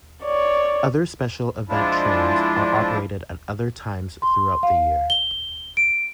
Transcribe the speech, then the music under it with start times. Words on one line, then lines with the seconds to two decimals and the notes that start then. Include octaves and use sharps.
Other special event trains are operated at other times throughout the year.
0.24 C#5 D5
1.69 F3 G#3 D4 E4 F4
4.22 C6
4.63 F5
5.10 G7
5.77 D7